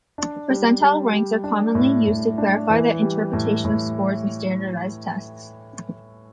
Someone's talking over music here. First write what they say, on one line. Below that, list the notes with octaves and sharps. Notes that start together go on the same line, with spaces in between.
Percentile ranks are commonly used to clarify the interpretation of scores on standardized tests.
D4
G3
G3
G3
D4
A2
A2
D4
E3
G3
A2
A2